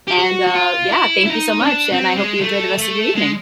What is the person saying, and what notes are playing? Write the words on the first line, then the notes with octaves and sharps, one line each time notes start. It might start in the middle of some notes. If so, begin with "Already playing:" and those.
And, uh, yeah, thank you so much, and I hope you enjoy the rest of your evening.
G4
F#4
F#4
F4
E4
E4
D#4
C#4
D4
C4
G#3
A3
A3
G#3